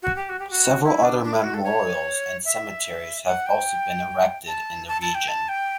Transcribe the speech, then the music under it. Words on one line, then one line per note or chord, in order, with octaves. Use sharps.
Several other memorials and cemeteries have also been erected in the region.
F#4
G4
F#4
G4
F#4
E4
D4
D4
E4
F#4
A4
C#5
E5
F#5
G5
A5
A5
A5
G5
A5
G5